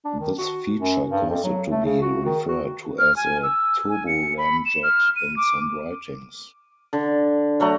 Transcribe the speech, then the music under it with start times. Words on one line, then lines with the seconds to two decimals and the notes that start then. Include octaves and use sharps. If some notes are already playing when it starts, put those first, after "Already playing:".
This feature caused it to be referred to as a turboramjet in some writings.
0.05 D4
0.21 D#3
0.38 F#4
0.78 F#2
1.11 G2
1.30 F2
1.44 F#3
1.71 A3
1.85 C#3
2.02 F#4
2.26 D#3
2.49 F#4
2.99 F6
3.16 G#5
3.43 E6
3.89 G#5
4.07 C#7
4.38 B5
4.65 E7
4.83 F6
5.16 D#7
5.37 D6
6.93 D3
7.60 F#3 A3 F#5 A#5